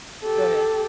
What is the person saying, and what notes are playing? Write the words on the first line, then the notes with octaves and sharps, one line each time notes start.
go ahead.
G4 A4